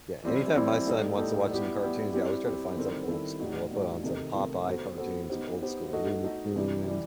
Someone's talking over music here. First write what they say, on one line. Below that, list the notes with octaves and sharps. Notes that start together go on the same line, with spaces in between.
Yeah, anytime my son wants to watch some cartoons, yeah, I always try to find something old school. I put on some Popeye cartoons, some old school Looney Tunes,
E3 G3 C4 E4
E3 G3 C4 E4
A2 G3 D#4 A4
A2 G3 D#4 A4
G3 B3 E4 G4
G3 B3 E4 G4
G3 C4 E4 G4
G3 C4 E4 G4
D#3 G3 C4 E4 A4
D#3 G3 C4 E4 A4
A2 G3 D#4 F#4
A2 G3 D#4 F#4
C3 D#3 A3 D#4
C3 D#3 A3 D#4
B3 F#4 A4 C5
B3 F#4 A4 C5
B3 D#4 G4 C5
B3 D#4 G4 C5
A3 D#4 F#4 A4 D#5
A3 D#4 F#4 A4 D#5
C3 E3 G3
E3 G3